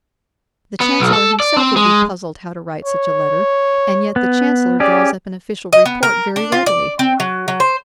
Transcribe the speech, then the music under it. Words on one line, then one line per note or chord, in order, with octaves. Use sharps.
The chancellor himself would be puzzled how to write such a letter, and yet the chancellor draws up an official report very readily.
B3
B1
A4
D5
C4
G#3
C#5
B3
C#4 G4 G#4 D5
D#5
B3
A#4
D4
F4
D5
C4
F#3
F#3
C5